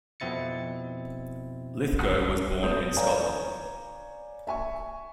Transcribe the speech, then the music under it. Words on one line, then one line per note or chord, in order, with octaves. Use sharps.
Lithgow was born in Scotland.
F2 B2 C4 E4 A6 C#7
B1 A4 B4 D#6 G6
B4 C#5 D5 F5 G#5 A#5
E5 G#5 C#6